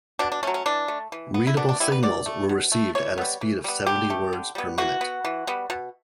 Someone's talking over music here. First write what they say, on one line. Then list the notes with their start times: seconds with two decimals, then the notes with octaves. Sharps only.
Readable signals were received at a speed of seventy words per minute.
0.19 B2 D4
0.32 D4
0.43 A3 C#4
0.47 F#3
0.54 C#4
0.66 E3 D4
0.88 A3
1.12 E3
1.34 B3
1.47 E4
1.57 B2 D4
1.69 D4
1.80 G3 B3 E4
1.92 B4
2.03 B2 D5
2.26 A3
2.49 B2
2.72 A3
2.95 E3 C#5
3.18 G3 B3
3.41 E3
3.64 G3 B3
3.86 D3 G4
4.10 A3
4.33 D3
4.55 G3 B3
4.78 E3 F#4
5.01 B3
5.25 E3
5.47 G3 B3
5.70 B2